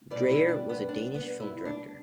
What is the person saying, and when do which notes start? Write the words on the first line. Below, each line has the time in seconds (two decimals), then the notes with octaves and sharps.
Dreyer, was a Danish film director.
0.10 B2 G3 B3 D5
0.29 E4
0.49 D4
0.69 B3
0.89 D4
1.14 B3
1.40 E4
1.65 D4